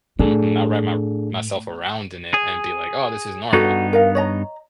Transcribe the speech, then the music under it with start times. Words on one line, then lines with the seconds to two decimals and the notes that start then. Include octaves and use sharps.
Mhm, not wrap my r myself around in it and be like, "Oh this is normal."
0.19 A2 D4 G#4 A4
2.34 G#4
3.53 G2 B3 D#4 F#4 A4 F#5
3.93 A#4 D#5 F5
4.15 C#5 D#5 A#5